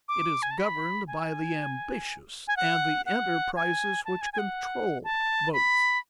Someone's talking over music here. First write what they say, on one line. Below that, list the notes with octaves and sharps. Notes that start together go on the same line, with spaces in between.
It is governed by the ambitions and the enterprises which control votes.
D6
G#5
A5
B5
G#5
G#5
F#5
F#5
G#5
A5
G#5
G#5
F#5
A5
B5